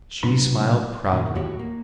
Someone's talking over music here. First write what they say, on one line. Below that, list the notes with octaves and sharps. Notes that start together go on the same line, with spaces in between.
She smiled proudly.
C3 F#3 B3 D4 B5 C6
A#2 D#3
D#2 A2 F#4 G4 C#5
A#3